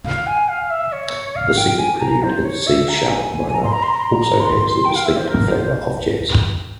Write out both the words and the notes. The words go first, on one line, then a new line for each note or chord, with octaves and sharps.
The second Prelude, in C-sharp minor, also has the distinct flavour of jazz.
F5
G#5
F5
E5
C#5
F5
G5
G5
G#5
A#5
C5
C#5
E5
A#5
G#5
A#5
C6
A#5
C6
A#5
C6
A#5
C6
G5
F5
E5
C5
A#4
C5